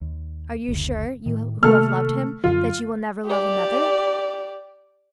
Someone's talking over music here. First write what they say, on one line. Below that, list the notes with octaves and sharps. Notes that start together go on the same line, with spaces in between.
Are you sure, you who have loved him, that you will never love another?
D#2
F#1 D2
A2 D#3
C3 D#3 A3 A#3 A4 F6
F#2 D3 F3 F4
G4 D5